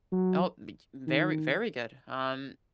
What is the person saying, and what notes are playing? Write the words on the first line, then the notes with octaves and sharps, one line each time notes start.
oh, b j very, very good, um,
F#3
D#3